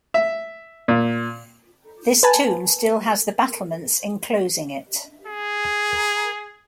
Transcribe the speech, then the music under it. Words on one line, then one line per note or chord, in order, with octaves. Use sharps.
This tomb still has the battlements enclosing it.
E5
A#2
B4 G#5 A5
G#4